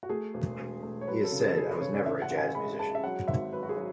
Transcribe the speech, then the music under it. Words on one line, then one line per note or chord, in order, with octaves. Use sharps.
He has said, I was never a jazz musician.
F#4
A3 G#4
E1
E1
A3
C#5
F#3 B4
A4
C#3
G#4
A4
F#2 G#4
B4
C#3 C#5
D5
A1 E5
F#5
A1
G#5
G#3 B5
G#3 A5
E5
F#3 F#5
G#1 E5
F#3 B4
F#4
G#4
F#3